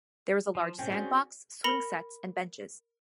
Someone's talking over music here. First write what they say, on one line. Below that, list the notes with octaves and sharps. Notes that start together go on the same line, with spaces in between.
There is a large sandbox, swing sets, and benches.
F3
C3 C4 C#4 G5
F#4 G#4 D5
A#4 B5 A#6 C#7 F7